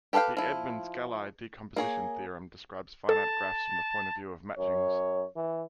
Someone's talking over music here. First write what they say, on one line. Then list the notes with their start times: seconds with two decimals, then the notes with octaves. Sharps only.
The Edmonds-Gallai decomposition theorem describes finite graphs from the point of view of matchings.
0.13 G4 A4 B4 F5 G5
0.37 F3 E4
1.76 A#3 G#4 C#5
3.09 A4 A5
4.58 F#2 C#5
5.36 E3